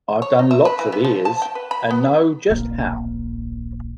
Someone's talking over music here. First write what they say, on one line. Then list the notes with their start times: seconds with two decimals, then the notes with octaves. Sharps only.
I've done lots of ears, and know just how.
0.22 C#5
0.39 D#4
0.51 E5
0.65 B4
0.79 E3
0.92 B3
1.05 F3
1.25 A5
1.42 G5
1.55 B4
1.71 B5
1.91 B3
2.50 D1 A#1 A#3